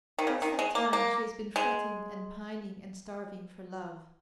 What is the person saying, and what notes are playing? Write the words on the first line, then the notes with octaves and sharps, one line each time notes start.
Since that time she has been fretting and pining and starving for love.
D#3
C#3
D#3
G#3
A#3
A#3
G#3